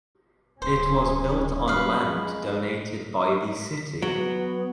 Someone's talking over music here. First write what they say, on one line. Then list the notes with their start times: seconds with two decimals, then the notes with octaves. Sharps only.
It was built on land donated by the city.
0.62 D1 C#4 C5
1.68 A#3 B4 F5
2.09 G#3
4.02 F#3 B3